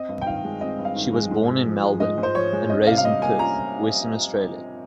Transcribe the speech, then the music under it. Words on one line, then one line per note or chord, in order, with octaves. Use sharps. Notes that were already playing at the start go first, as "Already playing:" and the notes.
She was born in Melbourne and raised in Perth, Western Australia.
Already playing: C4 D#5
G2
G5
D#3 F5
G#3
C4 D#5
G2
F5
D#3
G#3
G#2
G#2
F3
G#3
G#2 D#5
G#2
C5
F3 C#5
G#3
C#4 D#5
C3 F5
F5
G3 D#5
A#3 G#5
C#4 A#5